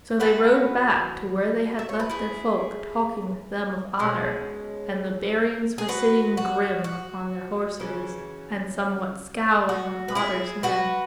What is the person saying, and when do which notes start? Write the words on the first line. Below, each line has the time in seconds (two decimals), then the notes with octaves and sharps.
So they rode back to where they had left their folk talking with them of Otter; and the Bearings were sitting grim upon their horses and somewhat scowling on Otter's men.
0.20 E3 B3 F#4 B4
1.79 E5
1.89 C#5
2.00 B4
2.10 E4 G#4
3.99 B2 G#3 C#4
5.78 G#4
5.89 F#4 B4
6.37 F#4
6.84 F#4
7.80 C#3 E3 C#4
9.69 F#4
10.08 B4
10.15 E4 G#4
10.63 F#4 B4